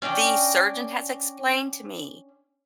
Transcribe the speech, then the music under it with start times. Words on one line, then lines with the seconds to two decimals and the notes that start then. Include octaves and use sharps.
"The surgeon has explained to me
0.02 C#4 D4 D#5 G5